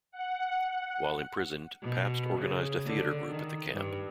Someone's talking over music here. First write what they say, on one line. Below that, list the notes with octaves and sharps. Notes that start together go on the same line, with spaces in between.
While imprisoned, Pabst organised a theatre group at the camp.
F#5
B2
C#3
D3
D#3
G2